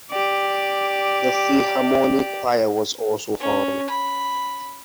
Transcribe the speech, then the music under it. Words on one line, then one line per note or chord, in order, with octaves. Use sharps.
The Philharmonic Choir was also formed.
G4 D5
C#4
B5